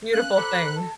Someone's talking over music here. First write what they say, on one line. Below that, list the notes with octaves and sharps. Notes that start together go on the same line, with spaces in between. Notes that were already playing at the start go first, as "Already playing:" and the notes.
beautiful thing.
C#4 F5 F#6
A4 C5 A#5 B5 D6
A5